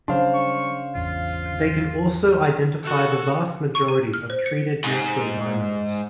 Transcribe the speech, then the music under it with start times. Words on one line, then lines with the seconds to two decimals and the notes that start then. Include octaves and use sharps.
They can also identify the vast majority of treated natural diamonds.
0.08 C#3 F#3 G3 D4 C5 F5 C6
0.34 C#6
0.95 G#1 E2 F4
2.83 F#4 A4
3.75 C#6
3.88 D#7
4.14 F6
4.30 C5
4.46 C#7
4.84 G#2